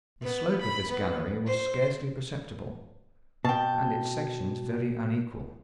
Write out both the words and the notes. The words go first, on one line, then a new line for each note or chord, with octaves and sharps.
The slope of this gallery was scarcely perceptible, and its sections very unequal.
B3
B5
B3
C5
B2 G5 A5